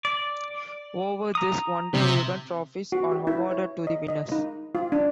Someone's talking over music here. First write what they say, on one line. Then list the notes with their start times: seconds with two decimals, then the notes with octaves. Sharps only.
Over this one-day event, trophies are awarded to the winners.
0.05 D5
1.35 A#5 D#6
1.94 C3
2.92 F#4
3.11 G4
3.27 E4
3.51 C#5
3.87 D#5
4.08 D#5
4.32 D#4
4.75 F4
4.92 D4